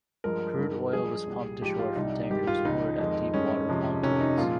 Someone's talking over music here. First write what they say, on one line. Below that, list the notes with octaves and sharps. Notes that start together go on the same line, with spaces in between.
Crude oil was pumped ashore from tankers moored at deep-water pontoons.
G2 F3 G#3 A#4
G2 D#3 G#3
G2 F3 G#3 G#4
C2 A#2 G3
G#2 F3 G#3 G4
F4
C2 C3 G3 D#4
G2 D#3 G#3 G4
F4
C#2 C#3 F3 G#3 D#4
F2 D#3 G#3
G2 D#3 G#3 C#4
F2 C3 F3 G#3
F2 C3 D#3 C#4
D#4
A#2 F3 G#3 F4